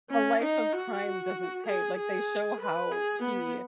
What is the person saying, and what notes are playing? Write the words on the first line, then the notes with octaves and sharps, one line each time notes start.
a life of crime doesn't pay. Like, they show how he
C#4
D#4
F#4
G#4
G#4
B4
G#4
B3